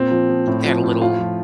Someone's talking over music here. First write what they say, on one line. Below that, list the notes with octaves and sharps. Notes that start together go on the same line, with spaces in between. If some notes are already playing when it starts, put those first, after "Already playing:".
they had a little
Already playing: A#2 C4
F3
F3
A2
F3
A2
F3 F4
F3